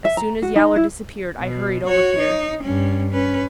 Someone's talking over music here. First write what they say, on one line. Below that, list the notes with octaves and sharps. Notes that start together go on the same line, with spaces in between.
As soon as Yowler disappeared I hurried over here.
E5
A#5
F#4
D#4
E4
B2
F#4 C#5
D#4
G2 C#4
C#4 B4